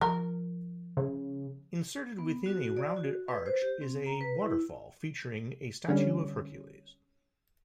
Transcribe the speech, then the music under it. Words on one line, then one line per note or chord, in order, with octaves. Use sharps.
Inserted within a rounded-arch is a waterfall featuring a statue of Hercules.
F3 A#4
C#3
B3
F#4
F#4
D5
F#4
B4
C5
G4
C4
A#5
B4
E4
D3 G3 C#4